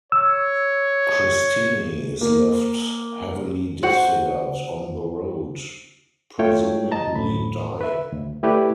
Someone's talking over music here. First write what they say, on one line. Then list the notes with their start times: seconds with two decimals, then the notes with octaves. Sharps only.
Christini is left heavily disfigured on the road, presumably dying.
0.12 C#5 E6
2.21 A#3
3.83 F#4 C5 F#5
6.39 A3 E4 F4 C#5 G5
6.92 D#5 A5 A#5
7.15 D2 A2 B5
7.81 B4 E5
8.12 D2
8.43 A3 E4 G4 B4 D5